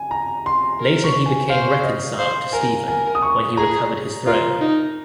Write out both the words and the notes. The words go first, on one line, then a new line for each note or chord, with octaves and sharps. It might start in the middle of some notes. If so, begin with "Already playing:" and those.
Later he became reconciled to Stephen when he recovered his throne.
Already playing: G#5
A#5
C6
A#4
C#6
G#5
C5 F5
D#5
C5 F5
A#4 G#5
A#4 G#5
D#6
C#6
G#4 A#5
F4 A#4
D#4